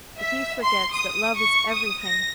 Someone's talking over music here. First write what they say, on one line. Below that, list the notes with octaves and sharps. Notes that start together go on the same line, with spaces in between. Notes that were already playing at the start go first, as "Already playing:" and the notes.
But he forgets that love is everything.
E5
C6
D#6
C#6
D#6
A#6